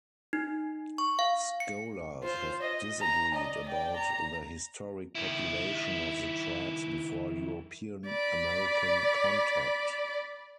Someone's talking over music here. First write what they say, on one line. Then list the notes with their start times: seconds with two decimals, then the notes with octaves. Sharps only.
Scholars have disagreed about the historic population of the tribes before European-American contact.
0.33 D#4
0.98 C#6
1.19 F5
1.60 C#7
2.23 F4 C5
2.62 D#5
3.00 A#5
3.35 D5 D#5
3.67 D5 G5
3.97 A#5
5.15 D#3 E4
8.06 D5 B5